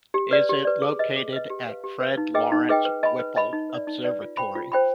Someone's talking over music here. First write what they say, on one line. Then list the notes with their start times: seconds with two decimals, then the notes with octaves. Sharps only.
It is located at Fred Lawrence Whipple Observatory.
0.14 G4
0.31 B4 D5
0.49 G4
0.65 B4 D5
0.82 G#4
0.99 B4 D#5
1.16 G#4
1.33 B4 D#5
1.50 G4
1.67 B4 F5
1.84 G4
2.00 B4 F5
2.17 D#4
2.34 G#4 B4 D#5 G5
2.52 D#4
2.69 G#4 B4 D#5 G5
2.85 B4
3.03 D#5 G#5 B5
3.19 B4
3.36 D#5 G#5 B5
3.53 D#4
3.70 B4 D5
3.87 D#4
4.04 B4 D5
4.22 F4
4.37 C5 G5 B5
4.55 F4
4.72 C5 G5 B5